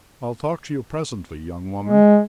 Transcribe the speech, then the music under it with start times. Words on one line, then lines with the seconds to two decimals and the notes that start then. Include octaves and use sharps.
I'll talk to you presently, young woman.
1.84 G#3